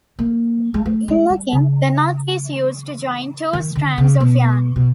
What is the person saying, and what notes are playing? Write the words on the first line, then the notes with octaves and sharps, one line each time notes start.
In knitting, the knot is used to join two strands of yarn.
A#3
G#3
A3
G#3
G3
C#3
D#3
D3
C#3
B2
B2